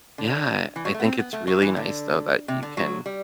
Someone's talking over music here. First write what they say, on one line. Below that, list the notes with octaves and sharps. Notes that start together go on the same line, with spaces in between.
Yeah. I think it's really nice though that you can
D3
E3
F#3
A3
B3
C4
B3
A3
F#3
E3
D3
C3
D3
F#3
G3